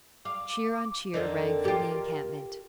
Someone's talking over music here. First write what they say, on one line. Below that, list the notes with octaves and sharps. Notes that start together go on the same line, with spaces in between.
Cheer on cheer rang from the encampment.
F5 D6
F2 D3 D#4 A#4
F4 G4